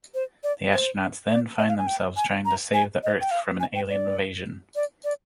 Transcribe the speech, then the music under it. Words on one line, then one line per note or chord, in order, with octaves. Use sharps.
The astronauts then find themselves trying to save the Earth from an alien invasion.
C5
D5
C5
D5
D#5
F5
G#5
G5
G#5
A#5
G#5
D#5
G5
F5
G#5
G5
D5
D5
D5